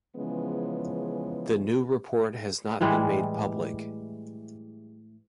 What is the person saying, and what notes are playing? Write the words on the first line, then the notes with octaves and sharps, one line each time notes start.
The new report has not been made public.
C#3 E3 F3 G#3 B3 C#4
A2 E3 G3 G#3